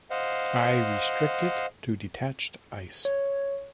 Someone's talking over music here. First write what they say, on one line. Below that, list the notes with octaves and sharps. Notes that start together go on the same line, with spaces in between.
I restrict it to detached ice.
C5 D#5 F5 F#5
C#5